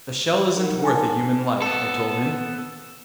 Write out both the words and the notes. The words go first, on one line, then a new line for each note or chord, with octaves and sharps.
"A shell isn't worth a human life!" I told him.
D#4 A#4 F#5
G#5 A5
B3 A4